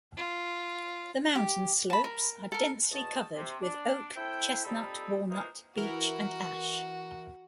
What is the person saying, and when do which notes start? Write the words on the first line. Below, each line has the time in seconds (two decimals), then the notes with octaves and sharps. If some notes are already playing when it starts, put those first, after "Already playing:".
The mountain slopes are densely covered with oak, chestnut, walnut, beech, and ash.
0.17 F4
1.35 G4
1.90 A5 B5
2.04 A#4
2.52 A4 A#4
2.92 E2 B2 A3 D#5 A5
3.35 C3
3.61 D4
4.16 C4 E4 A4 E5 G5
4.65 F2 G3 C4 D#4 A4 B5
5.30 E3 F3 G#3 A#3 D#4
5.77 E3 E4 F#4 A#4